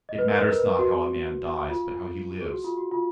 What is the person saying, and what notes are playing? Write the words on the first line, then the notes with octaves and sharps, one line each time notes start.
It matters not how a man dies, but how he lives.
D#5
B4
A#4
B4
A#4
B4
F#4
F4
G#4
F#4
F4
F#4
F4